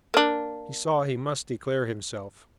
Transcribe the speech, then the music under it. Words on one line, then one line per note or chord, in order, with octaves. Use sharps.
He saw he must declare himself.
A#3 D4